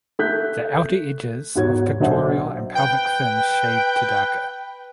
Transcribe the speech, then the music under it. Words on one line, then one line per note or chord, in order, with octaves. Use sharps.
The outer edges of pectoral and pelvic fins shade to darker.
A3 F#6 G6 B6
E2 G#2 F#4 C#5 G#6
B1 D4 C5 D#5 E5 F#5
B4 G5